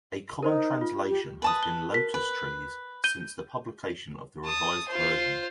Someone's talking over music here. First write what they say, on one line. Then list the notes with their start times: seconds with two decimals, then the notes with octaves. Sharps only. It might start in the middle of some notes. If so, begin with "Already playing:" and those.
A common translation has been "lotus trees" since the publication of the Revised Version.
0.43 D#4 A#4 C5 D#5
0.81 F4
1.09 G4
1.42 B4 A5 D#6
1.63 G7
1.92 A#4 B6
2.14 B4
3.04 G6 D#7 G7
4.45 A5 D#6
4.88 F4 C5